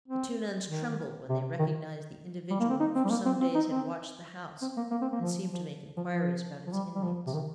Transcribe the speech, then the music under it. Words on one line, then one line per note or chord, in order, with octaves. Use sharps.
The two nuns trembled when they recognized the individual who for some days had watched the house and seemed to make inquiries about its inmates.
C4
D#3
C3
D#3
G3
A#3
C4
D#4
C4
G3
A#3
C4
C4
D#4
C4
C4
A#3
A#3
C4
A#3
F3
F3
F3
F3
F3
G3
G3
F3
C3
D#3